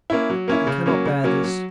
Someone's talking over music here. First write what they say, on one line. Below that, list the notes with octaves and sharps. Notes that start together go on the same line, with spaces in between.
I cannot bear this.
A#3 C#4 E4
F#3
A#3 C#4 E4
C#3
F#3 A#3 C#4
C#3
F#3 A#3 C#4
F#3